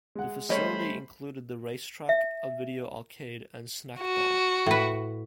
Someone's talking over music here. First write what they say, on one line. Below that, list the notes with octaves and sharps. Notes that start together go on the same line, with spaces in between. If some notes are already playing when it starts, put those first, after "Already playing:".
The facility included the racetrack, a video arcade and snackbar.
G#3 F#5
G3 A3 C#4 C5 C#5 D#5 B5
E5
F#4
A2 B4